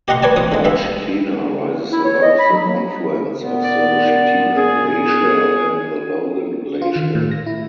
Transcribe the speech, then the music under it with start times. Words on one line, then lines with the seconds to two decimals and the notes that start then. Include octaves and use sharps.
Mount Chitina rises above the confluence of the Chitina Glacier and the Logan Glacier.
0.08 G4 D#5 F#5 A#5 C6
0.23 B4 C#5 D5 G#5 A5
0.36 F3 F4 D#6
0.52 D3 G#3
0.64 B3 E5 F5
1.91 E4
2.04 C#5
2.22 D#5
2.39 B5
2.52 F#3
2.67 A#3
3.42 A#2 B3
3.62 D5
4.55 G#4
6.82 F4
6.96 D#3
7.15 A2
7.31 A#6
7.46 E4